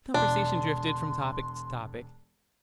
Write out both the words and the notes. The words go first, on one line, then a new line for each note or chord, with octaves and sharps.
The conversation drifted from topic to topic.
E1 D4 C6